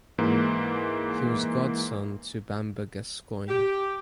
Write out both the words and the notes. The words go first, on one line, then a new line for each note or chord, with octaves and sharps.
He was godson to Bamber Gascoyne.
G#2 E3 A#3
G4